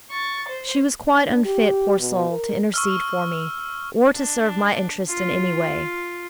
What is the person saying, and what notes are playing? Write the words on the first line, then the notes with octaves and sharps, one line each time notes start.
She was quite unfit, poor soul, to intercede for me, or to serve my interests in any way.
C#6 A6
C5
D4
G4
B2
A#4
C#6 E6 F6
D4
F4